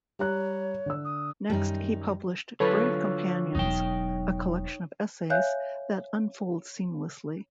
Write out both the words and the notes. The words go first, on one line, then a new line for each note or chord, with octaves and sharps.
Next, he published "Brave Companions", a collection of essays that "unfold seamlessly".
G3 C#5 A#5 F#6
D3 E6
D#6
F#2 D#3 G3 D#4
D3 F#3 F4 A4 B4 C#5 C#6 F#6
E1 F#3 D#4 G5
C#5 E5 F5 G#5 F#6 G6